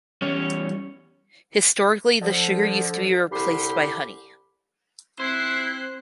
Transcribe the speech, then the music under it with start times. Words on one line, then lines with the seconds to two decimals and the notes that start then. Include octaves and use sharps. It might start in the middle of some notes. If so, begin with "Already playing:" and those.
Historically the sugar used to be replaced by honey.
0.22 E2 G3 C#4 C#5
2.21 D3 F3
3.31 C2 D3 G4 B5 C6
5.20 C4 E4 C5 F#6 C7